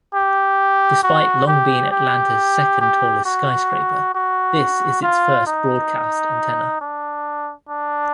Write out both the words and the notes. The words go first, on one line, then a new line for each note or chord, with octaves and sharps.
Despite long being Atlanta's second-tallest skyscraper, this is its first broadcast antenna.
G4
F#4
G4
G4
G4
F#4
F#4
F4
D#4
D4
D4